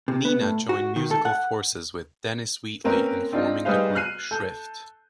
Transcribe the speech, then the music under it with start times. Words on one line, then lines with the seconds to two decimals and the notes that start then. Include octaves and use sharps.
Nina joined musical forces with Dennis Wheatley in forming the group Shrift.
0.08 C3
0.25 B3
0.41 A2
0.69 F#4
0.96 D#3
1.11 A4
1.25 F#5
2.84 A#3 C4 C#4 A#4 B4
3.33 C4 D4 D#4 F4
3.65 G3 D#4 G#4 B4 C5 F5
3.95 F6 F#6 C7 D#7
4.31 A4 G6